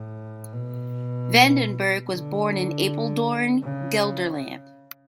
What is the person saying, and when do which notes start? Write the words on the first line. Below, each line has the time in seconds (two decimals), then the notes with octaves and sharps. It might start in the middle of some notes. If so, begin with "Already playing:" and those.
Van den Burg was born in Apeldoorn, Gelderland.
Already playing: A2
0.53 B2
2.08 D3
3.63 C#3